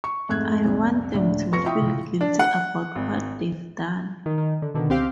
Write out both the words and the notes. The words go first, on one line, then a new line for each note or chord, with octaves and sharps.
I want them to feel guilty about what they've done.
C#6
F2 G#2 A3 F#6 G#6
C2 F2 A#2
C#2 A2 D3 D5
F1 B3 F4 C#6 A#6 C#7
E4 F4 E5 G5 C#6 D#6
D4
F#5
G#1
D#3
D#3
D3
B2 D3 D#3
C#2 C4 G4 F5